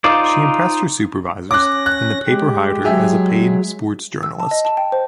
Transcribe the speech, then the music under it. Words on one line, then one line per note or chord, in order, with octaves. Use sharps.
She impressed her supervisors, and the paper hired her as a paid sports journalist.
D#4 F4 C5 D5
C#4 D6 F#6 A#6
F#6
G#3 G4
F#3 G#3 G4 G#4 E5
E6
A5
D#5
A5
G5
C5